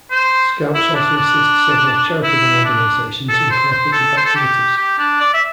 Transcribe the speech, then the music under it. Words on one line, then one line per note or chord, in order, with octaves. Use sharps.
Scouts also assist several charitable organizations in co-operative activities.
C5
E4
D4
D4
E4
D4
A4
C5
C5
A4
C5
A4
G4
G4
D4
D5
E5